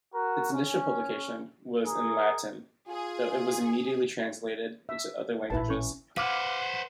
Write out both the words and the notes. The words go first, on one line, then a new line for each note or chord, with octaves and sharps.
Its initial publication was in Latin, though it was immediately translated into other languages.
F#4 A#4
C#4
G#4 A#4
F4 G#4
E5
A1 A#2 E4 B4 A5
C#4 C#6
B4 C5 F5 F#5 D6 F6